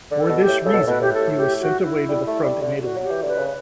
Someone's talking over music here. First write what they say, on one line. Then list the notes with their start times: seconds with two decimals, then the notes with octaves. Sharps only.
For this reason he was sent away to the front in Italy.
0.11 D3
0.18 A4
0.29 B2
0.41 G4
0.48 A2
0.65 C#3 A4
0.73 B2
0.80 A2
0.87 B2 B4
1.01 A2 G4
1.13 A4
1.37 G4
1.61 F#4
1.84 E4
2.08 G3
2.27 A3
2.44 G3
2.62 D3
2.80 F#4
2.96 F#3
3.04 G4
3.10 E3
3.24 D3 B4
3.38 C#3